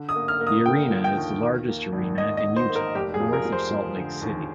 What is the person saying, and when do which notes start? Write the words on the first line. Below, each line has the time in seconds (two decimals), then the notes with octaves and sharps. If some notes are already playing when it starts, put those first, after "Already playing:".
The arena is the largest arena in Utah north of Salt Lake City.
Already playing: D3
0.09 D#6
0.15 A#3
0.28 F6
0.40 A#3
0.47 D#6
0.66 D3 G5
0.91 F3
1.04 G5
1.17 D#2
1.42 D#3
1.68 A#3
1.92 G#1
2.18 G#2 D#5
2.37 D#5
2.43 G#1
2.56 C5
2.69 A#3
2.76 A#4
2.95 F1 G4
3.14 G#4
3.20 F3
3.33 A#4
3.45 F3
3.52 C5
3.71 F3
3.96 D3
4.22 D#2